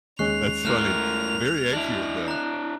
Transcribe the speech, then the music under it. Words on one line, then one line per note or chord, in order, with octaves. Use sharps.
That's funny. Very accurate, though.
D#2 G#3 C#4 C#6 F#6 C7 F7
A3 E4 A#4 F6 F#6 E7
D4 E4
A#5 F#6